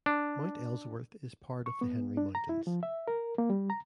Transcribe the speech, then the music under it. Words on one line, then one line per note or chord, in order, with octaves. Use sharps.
Mount Ellsworth is part of the Henry Mountains.
D4
C#6
B3
D4
A#5
E4
F3
E5
A#4
A#3
G3
A#5